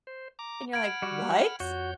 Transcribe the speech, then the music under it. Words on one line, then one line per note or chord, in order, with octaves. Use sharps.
And you're like, "What?"
C5
A#5 D6
F#5 B5 F6 G#6 D7
G3 F#4
F2 F#4 C#5 G6